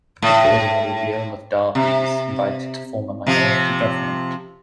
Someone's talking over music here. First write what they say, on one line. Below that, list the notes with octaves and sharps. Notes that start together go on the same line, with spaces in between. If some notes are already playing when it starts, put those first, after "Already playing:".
Accordingly, the Earl of Derby was invited to form a minority government.
A2
C3
C3 F3